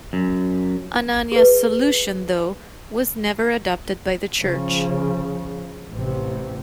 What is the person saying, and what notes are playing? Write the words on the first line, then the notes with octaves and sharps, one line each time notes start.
Anania's solution, though, was never adopted by the Church.
F#2
G#4 B4
C#3 F3
A1 C3